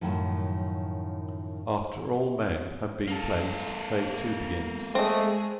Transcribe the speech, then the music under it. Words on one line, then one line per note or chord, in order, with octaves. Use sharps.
After all men have been placed, phase two begins.
F#2 A2 D#3 F3
A#3 A4
G#3 A3 C4 G#4 D#5